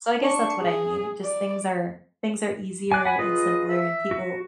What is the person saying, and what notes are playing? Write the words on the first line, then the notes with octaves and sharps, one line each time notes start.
So, I guess that's what I mean. Just things are things are easier and simpler and people
D4 C#6
G#4
D5
D5 G#5 F#6
F#5 G#5 B5
F4 G#4 B4 D#5
E5
F#4